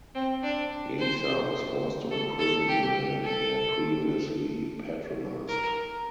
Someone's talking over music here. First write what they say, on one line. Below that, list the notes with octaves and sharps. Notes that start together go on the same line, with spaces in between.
Yasa' was forced to imprison the men he had previously patronized.
C4
D4
C5
A4
A4
G4
A4
A#4